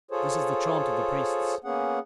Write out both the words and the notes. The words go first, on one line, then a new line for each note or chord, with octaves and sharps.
This is the chaunt of the Priests.
F4 G#4 A4 C5 C#5
A#3 B3 C#4 G#4 F#5